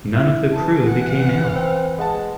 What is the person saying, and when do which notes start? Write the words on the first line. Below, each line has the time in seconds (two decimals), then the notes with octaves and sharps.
None of the crew became ill.
0.15 E4
0.53 E3 A5
0.87 F#5
1.55 C4
1.98 G#3 B4 F#5 A5